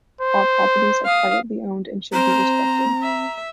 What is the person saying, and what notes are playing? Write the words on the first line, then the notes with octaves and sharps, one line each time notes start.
All properties are privately owned and should be respected.
C5
F5 D#6
C4 C5 A#5
E5